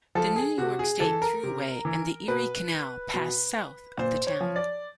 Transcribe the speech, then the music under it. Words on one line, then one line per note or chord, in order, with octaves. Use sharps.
The New York State Thruway and the Erie Canal pass south of the town.
F3 A4
G#4
C3 F#4
G#4
E3 A4
A#4
C3
E3
B2 B4
B2
A#2 C5
C#5
F3
D5